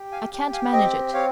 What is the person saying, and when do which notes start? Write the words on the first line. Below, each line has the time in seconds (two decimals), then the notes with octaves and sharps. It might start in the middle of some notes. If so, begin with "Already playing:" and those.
I can't manage it.
Already playing: G4
0.12 F5 G#5
0.33 G4
0.53 F5 G#5
0.73 C4 D#5 G5
1.13 C4 C#5 F5